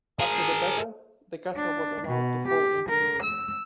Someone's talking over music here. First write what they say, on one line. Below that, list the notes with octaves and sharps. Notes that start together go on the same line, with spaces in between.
After the battle, the castle was allowed to fall into ruin.
G#4 A#4
D4
B2
G4
A#4
E6